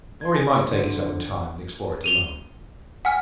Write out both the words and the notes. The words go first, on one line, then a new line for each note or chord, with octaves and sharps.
Or he might take his own time, and explore it alone.
C6 G#6
G#4
E4 C5
D3
D#7 F7 G7
F#5 G#5 F6